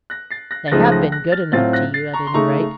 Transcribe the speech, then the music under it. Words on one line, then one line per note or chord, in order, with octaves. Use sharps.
'They have been good enough to you, at any rate.
F#6 A#6
A6 C7
F#6 A#6
A6
C#2 C#3 F3 A3 D#4 F#6 A#6
F#6 A#6
F#6 A#6
F6 A6
A2 F#3 C4 F4 F6 A6
F#6 A#6
A6 C7
A#5 C#6
C6
C#3 A3 D#4 A#5 C#6